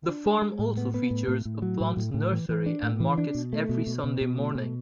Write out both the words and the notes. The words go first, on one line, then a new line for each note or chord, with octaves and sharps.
The farm also features a plant nursery and markets every Sunday morning.
D4
G#3
G#3
A2
B3
B3
A2
A2
A2
F#3
A2
A2
A2
E3
E3
D4
A2
E3
D4
B2
A3
B2
B2
B2
B2
A3
B2